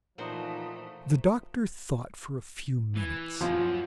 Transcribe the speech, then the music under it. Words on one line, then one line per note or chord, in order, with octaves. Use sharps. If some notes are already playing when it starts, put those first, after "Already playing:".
The doctor thought for a few minutes.
A#2 E3 F3 A3 D#4 F#4 C5
E3
F#2 F3 F4